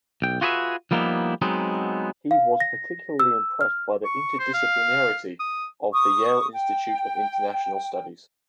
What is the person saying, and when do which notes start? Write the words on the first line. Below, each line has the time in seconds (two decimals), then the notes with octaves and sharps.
He was particularly impressed by the interdisciplinarity of the Yale Institute of International Studies.
0.22 B1 G5
0.41 F4 F#4 G#4 B4 D#5 E5
0.91 F3 G3 A#3 B3 D#4 E4
1.42 F#3 G#3 B3 C4 D#4
2.31 F5
2.60 A#6
3.20 E6
3.61 F6
4.05 C#6
4.39 C5
4.54 F5
5.39 D#6
5.93 C#6 D#6
6.54 G5